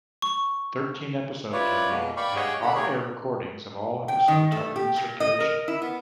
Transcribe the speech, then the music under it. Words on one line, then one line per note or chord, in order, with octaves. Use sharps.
Thirteen episodes were made and off-air recordings of all episodes are in circulation.
C#6
E4 F4 B4 C#5 D5
B2 G#3 A#3
D5 F5 G5 B5 C#6
G4 G#4 C#5 D#5 F#5 G5
D3 A#3 F#5 B5
A3 G4 G#4 A#4 C#5
G5
D#3
A3
G4
A#2
D#5
A#4
E4
B3